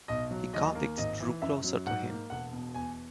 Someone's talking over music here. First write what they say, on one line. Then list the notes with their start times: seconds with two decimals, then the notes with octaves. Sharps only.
The convict drew closer to him.
0.08 B1 D#5
0.31 F#3
0.53 D#2 D#5
0.75 A#3
0.98 G#1 D#5
1.20 E3
1.42 F#2 E5
1.64 F#3
1.86 G#2 F#5
2.09 A#3
2.30 E1 F#5
2.53 B2
2.75 E2 G#5